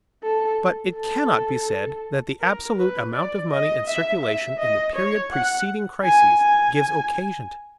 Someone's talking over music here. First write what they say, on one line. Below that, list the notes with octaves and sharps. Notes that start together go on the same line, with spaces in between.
But it cannot be said that the absolute amount of money in circulation in the period preceding crises gives occasion to them.
A4
A4
A#4
B4
D5
D#5
E5
E5
D#5
C#5
F#5
G#5
G#5